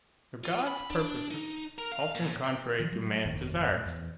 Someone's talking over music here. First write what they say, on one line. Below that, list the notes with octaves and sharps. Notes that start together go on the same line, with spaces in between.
Are God's purposes often contrary to man's desires?
F4
B5
D4
D#4
A#4
F5
A#2
G5
D#3 F3
F#3 G3 A3
G1 F2 D#3 A#3
F#2 A#2 A3
E2